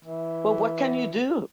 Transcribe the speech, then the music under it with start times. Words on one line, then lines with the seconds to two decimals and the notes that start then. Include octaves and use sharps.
But what can you do?
0.05 E3